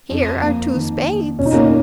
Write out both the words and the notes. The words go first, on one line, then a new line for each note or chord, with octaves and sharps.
Here are two spades.
F2
A#3
D#3
A#3
B2 C#4
D#4
A#3 C#4